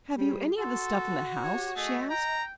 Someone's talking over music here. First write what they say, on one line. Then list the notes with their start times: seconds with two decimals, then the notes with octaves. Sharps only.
"Have you any of the stuff in the house?" she asked.
0.17 G3 G#4
0.58 F#4 A4 C6
1.43 G4 C#5
1.76 A3 G#4 D#5
2.10 G5 A#5